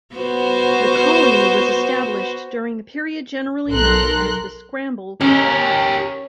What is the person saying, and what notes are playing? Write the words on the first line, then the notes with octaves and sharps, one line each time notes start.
The colony was established during the period generally known as the "Scramble for Africa".
B3 F#4 C5
B1 A4 A#4 C6 F#6
C#4 G4 A#4